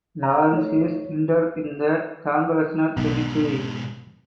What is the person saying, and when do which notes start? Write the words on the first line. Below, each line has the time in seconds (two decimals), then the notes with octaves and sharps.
Lawrence is interred in the Congressional Cemetery.
0.23 A#5
0.53 A3 D#4 C#5
2.97 B1 G#2 B2